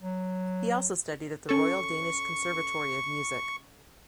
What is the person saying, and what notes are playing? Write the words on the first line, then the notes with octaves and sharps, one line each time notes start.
He also studied at The Royal Danish Conservatory of Music.
F#3
C#4 A4 C#6